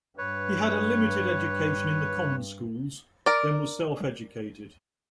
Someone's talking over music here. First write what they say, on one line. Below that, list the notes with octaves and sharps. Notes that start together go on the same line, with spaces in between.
He had a limited education in the common schools, then was self-educated.
G2 B4 C#5
A#4 D5